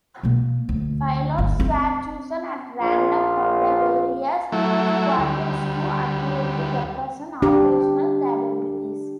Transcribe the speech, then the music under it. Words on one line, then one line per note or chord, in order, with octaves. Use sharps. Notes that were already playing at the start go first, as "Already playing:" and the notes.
Pilots were chosen at random from the various squadrons to accurately represent operational capabilities.
B2 A#3
D2
G1 D2
C4
A#1 F4
F#3 A3 E4
D2 G3
D4 G4